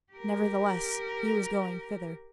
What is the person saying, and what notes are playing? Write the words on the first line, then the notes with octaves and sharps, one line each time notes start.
Nevertheless, he was going thither.
G4 A#4